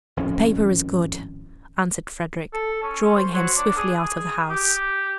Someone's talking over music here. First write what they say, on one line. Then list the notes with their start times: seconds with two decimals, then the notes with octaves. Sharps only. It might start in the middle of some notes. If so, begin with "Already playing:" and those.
"The paper is good," answered Frederick, drawing him swiftly out of the house.
0.17 G#1 F2 A2 C#4
2.54 A4
2.83 C#4
3.16 C5
3.34 F#3
3.57 D4
3.77 G#4
4.03 G#4
4.49 G4